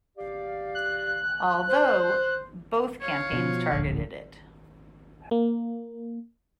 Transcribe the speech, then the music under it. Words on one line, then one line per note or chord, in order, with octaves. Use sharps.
Although, both campaigns targeted it.
G4 D5 F5
F#6
C5
C#5 F5
B2 F3
D1 A#1 D3
A#3